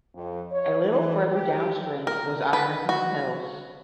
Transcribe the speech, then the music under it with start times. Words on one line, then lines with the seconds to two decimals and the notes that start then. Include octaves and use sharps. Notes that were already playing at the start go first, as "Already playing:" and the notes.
A little further downstream was Iron Mills.
0.14 F2
0.51 C#5
0.86 E3
1.32 G4
2.07 A#4
2.53 B4
2.89 F#4